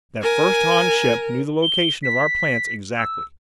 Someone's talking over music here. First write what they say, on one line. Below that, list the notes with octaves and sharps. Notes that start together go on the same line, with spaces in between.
That first Han ship knew the location of our plants exactly.
A#4 G#5
G7
B6
E6